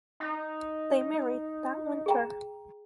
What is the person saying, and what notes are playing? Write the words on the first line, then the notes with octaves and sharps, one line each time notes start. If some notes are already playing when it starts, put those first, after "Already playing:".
They married that winter.
D#4
G#4 G5 A#5